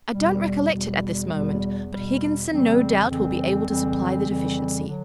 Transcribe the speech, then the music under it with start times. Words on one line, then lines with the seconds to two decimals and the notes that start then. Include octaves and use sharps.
I don't recollect it at this moment, but Higginson, no doubt, will be able to supply the deficiency.
0.11 E2 B2 G3
0.71 E2 B2 G3
1.30 E2 B2 G3
1.89 E2 B2 G3
2.49 F2 C#3 E3 G3 C4
3.08 F2 C#3 E3 G3 C4
3.68 F2 C#3 E3 G3 C4
4.26 F2 C#3 E3 G3 C4
4.86 D3 F#3